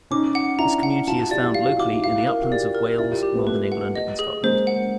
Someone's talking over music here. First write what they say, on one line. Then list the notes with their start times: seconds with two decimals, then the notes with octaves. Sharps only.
This community is found locally in the uplands of Wales, northern England and Scotland.
0.11 C#4 D#4 D6
0.35 F#5
0.59 D4 E4 A#5
0.83 F#5
1.08 D#4 F4 A5
1.19 E4 F#4
1.31 F4 G4 D5
1.43 E4 F#4
1.55 F4 G4 F5
1.67 E4 F#4
1.79 E4 F#4 D6
1.91 D#4 F4
2.03 E4 F#4 F5
2.27 A#4
2.42 F#4
2.51 F4 G4 D5
2.75 A#4
2.99 E4 F#4 D5
3.11 F4 G4
3.23 G4
3.35 A3 B3
3.47 A3 B3 B4
3.72 F#5
3.95 D#5
4.19 G#4
4.43 G#3 A#3 C5
4.67 F#5